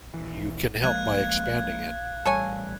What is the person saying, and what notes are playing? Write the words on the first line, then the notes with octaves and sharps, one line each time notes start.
You can help by expanding it.
D#1 B1 E3
F3 G#3 A#3 F5 F#6 G#6
A1 G3 A4 C#5 G#5